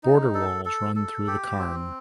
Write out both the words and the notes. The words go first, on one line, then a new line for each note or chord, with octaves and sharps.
Border walls run through the cairn.
D#4
A4
A4
A4
G4
C4